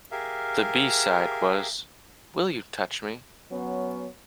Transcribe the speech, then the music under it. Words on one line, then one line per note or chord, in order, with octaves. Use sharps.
The B-side was "Will You Touch Me".
G4 G#4 A#4 E5 F5
F#3 B3 C#4